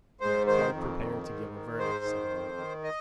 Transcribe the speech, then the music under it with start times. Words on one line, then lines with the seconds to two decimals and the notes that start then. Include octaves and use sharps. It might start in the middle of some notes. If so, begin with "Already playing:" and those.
"And we are quite prepared to give a verdict," said one.
0.20 G#2 C5
0.47 D#3 C5
0.73 F2
0.99 D#3
1.26 G#2
1.52 D#3
1.78 G#2 C5
2.05 D#3
2.31 F2
2.57 D#3
2.84 D#5